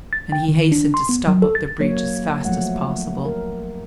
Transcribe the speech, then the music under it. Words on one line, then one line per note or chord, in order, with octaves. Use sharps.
And he hastened to stop up the breach as fast as possible.
A6
G5
D#3
D4
C6
B3
F#3
A4
A6
F#3 A#3 C#5
F3 F#3 A3 F#5
A#4